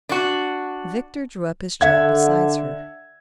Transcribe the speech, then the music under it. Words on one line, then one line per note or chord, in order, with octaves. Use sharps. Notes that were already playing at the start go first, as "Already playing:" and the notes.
Victor drew up his chair beside her.
D4 F#4
D3 E5 F#5 G#6